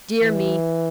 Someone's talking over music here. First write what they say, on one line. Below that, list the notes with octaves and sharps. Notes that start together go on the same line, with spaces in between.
Dear me!
E3